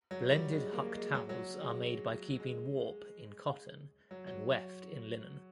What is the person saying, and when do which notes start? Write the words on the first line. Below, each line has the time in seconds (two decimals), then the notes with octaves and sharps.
Blended Huck towels are made by keeping warp in cotton and weft in linen.
0.11 F#3
0.31 G3
0.51 G#3
0.73 A#3
0.93 G#3
1.14 F#3
1.29 F#3
1.60 G#3
2.40 G#3
4.11 F#3
4.27 F#3